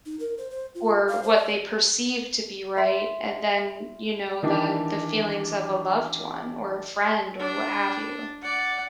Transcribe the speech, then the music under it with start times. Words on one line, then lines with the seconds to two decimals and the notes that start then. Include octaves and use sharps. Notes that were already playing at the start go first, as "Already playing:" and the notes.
or what they perceive to be right, a than, you know, the the feelings of a loved one or a friend or what have you.
0.06 D#4
0.19 A#4
0.38 C5
0.50 C5
0.75 F4
1.08 F5
1.23 C5
1.36 D5
2.77 E5 C6 B6
4.43 D#3 E3 D4 G4
7.39 D4
8.41 D5 F#5